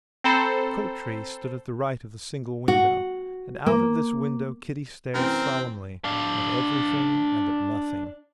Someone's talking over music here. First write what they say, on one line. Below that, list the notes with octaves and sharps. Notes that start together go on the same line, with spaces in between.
The coat tree stood at the right of the single window, and out of this window Kitty stared solemnly, at everything and at nothing.
C4 A4 C5 G5 A#5 B5
F#4
A#3
F#2 C3 E3 C4 A#4
D4 F5